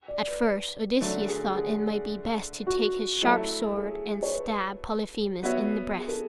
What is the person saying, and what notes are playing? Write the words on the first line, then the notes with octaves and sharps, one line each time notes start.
At first Odysseus thought it might be best to take his sharp sword and stab Polyphemus in the breast.
D5
B4
D3 F#3 A3
G#4
G#4
F#4
F#3 A3 E4 A4
G#4
C#5
B4
B3 F#4 C#5 E5
G#4
A4